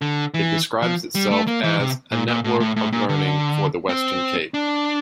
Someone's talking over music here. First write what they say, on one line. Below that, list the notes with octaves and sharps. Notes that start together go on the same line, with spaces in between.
It describes itself as "A Network of Learning for the Western Cape".
D3
E3
F3
G3
A3
A#3
E3
C3
A#2
A#2
A2
A2
A2
A#2
D3
C4
D4